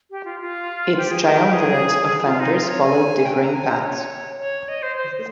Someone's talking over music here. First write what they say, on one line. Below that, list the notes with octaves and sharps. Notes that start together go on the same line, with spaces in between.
Its triumvirate of founders followed differing paths.
G4
F4
F4
G4
G#4
G4
G#4
F4
D#4
F4
C#5
G#5
G5
G#5
A#5
G#5
A#5
C#5
C#5
D#5
C5
C5